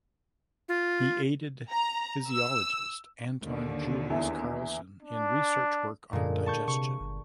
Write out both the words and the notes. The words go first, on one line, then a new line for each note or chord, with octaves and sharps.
He aided physiologist Anton Julius Carlson in research work on digestion.
F4
A#5
E6
D#2 D3
E2 E4
D4
F#2 A#2 D3 G#3
A5 C#6 G6
C3 C#6
G1